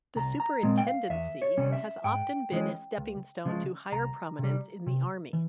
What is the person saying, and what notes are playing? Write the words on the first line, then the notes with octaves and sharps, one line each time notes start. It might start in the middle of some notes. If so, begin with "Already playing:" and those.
The Superintendency has often been a stepping stone to higher prominence in the Army.
C2 A#5
A#5
A#2 G#3 C4
G5
F5
E2 E5
C#5
C3 G3 C#4
E5
G#2 G5
E3 G#3 C#4
C#2
C#3 F3 G#3
C2 A#5
C3 G3
C3
E3